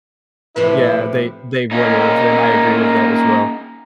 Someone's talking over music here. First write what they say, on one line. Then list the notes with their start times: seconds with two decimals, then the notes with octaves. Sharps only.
yeah. They they would have, and I agree with that as well.
0.56 A2 C3 F3 E4 B4
1.71 A#3 C#4 D#4